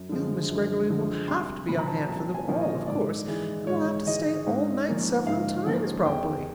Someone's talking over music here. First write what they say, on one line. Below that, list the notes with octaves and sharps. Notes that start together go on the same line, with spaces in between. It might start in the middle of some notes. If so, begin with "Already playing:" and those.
You, Miss Greggory, will have to be on hand for them all, of course, and will have to stay all night several times, probably.
Already playing: F#2
D3 F3 G#3
F#2
D3 F3 G#3
C2 C6
A#2 F3 A#3 C#4 B5
A#5
A5
A#5
C2 A5
G#5
A#2 F3 A#3 C#4
D#5
G#2 D5
E3 G#3
G#2 C#5
E3 G#3 D#5
G#2
F3 A#3 C#4
G#2 F5
F3 A#3 C#4 F#5
E2 G5